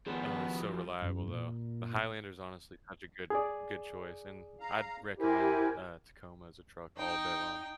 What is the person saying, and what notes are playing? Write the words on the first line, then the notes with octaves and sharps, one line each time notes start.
Oh, it's so reliable, though. The Highlander's honestly such a good good choice, and I'd recommend, uh, Tacoma as a truck all day long
D#3 F3 G3 B3 G#4 B4
F#2
A#2
G#4 D5
F5 A#5
E4 G4 A#4 C5 G#5
D#4 G5